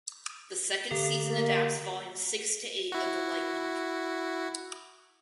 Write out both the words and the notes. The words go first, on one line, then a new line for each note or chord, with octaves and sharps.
The second season adapts volumes six to eight of the light novel.
D3 A4
A#3
E4 F#4